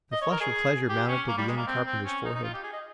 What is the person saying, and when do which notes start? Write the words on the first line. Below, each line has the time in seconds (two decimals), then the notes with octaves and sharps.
The flush of pleasure mounted to the young carpenter's forehead.
0.12 D#5
0.22 C#5
0.31 A#4
0.41 G#4
0.89 G4
1.08 C#4
1.28 A#3
1.38 G3
1.48 G#3
1.57 A#3
1.67 C4
1.86 C4
2.05 C#4
2.25 D#4
2.35 D#4
2.44 F4
2.54 G4
2.64 G#4
2.73 D#5